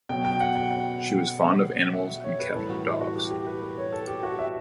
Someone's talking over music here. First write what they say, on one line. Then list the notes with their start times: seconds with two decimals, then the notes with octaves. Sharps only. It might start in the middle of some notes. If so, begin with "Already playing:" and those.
She was fond of animals and kept dogs.
0.09 B2 F#3 G5
0.25 G5
0.40 F#5
0.56 G5
0.71 G5
1.93 E5
2.24 C#5
2.39 B4
2.54 A2 E3 G3 A4
2.70 F#4
3.01 F#4
3.16 G4
3.31 G4
3.46 B4
3.62 B4
3.78 C#5
3.93 A4
4.08 G4
4.23 F#4
4.39 E5